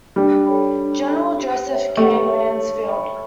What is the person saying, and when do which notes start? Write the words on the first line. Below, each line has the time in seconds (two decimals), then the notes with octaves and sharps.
General Joseph K. Mansfield.
0.16 G3 D4
0.46 A4 C#5 G5 B5
0.77 D4
1.08 A4 C#5 G5 B5
1.37 G4
1.67 C#5
1.72 E5
1.97 A3 G4
2.27 C#5 E5
2.58 C#5
2.88 E5 G5 B5